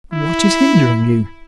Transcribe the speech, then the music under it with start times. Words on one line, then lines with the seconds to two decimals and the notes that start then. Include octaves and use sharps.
"What is hindering you?"
0.13 E4